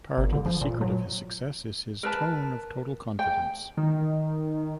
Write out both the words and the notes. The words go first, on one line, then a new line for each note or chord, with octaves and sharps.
Part of the secret of his success is his tone of total confidence.
G1
D3
F3
A#2
F#3
A#4 B4 A5
G5
D#3